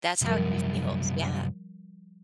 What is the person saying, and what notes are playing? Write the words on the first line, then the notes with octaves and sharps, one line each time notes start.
That's how he feels. Yeah.
C2 F#2 F3 G3 A#4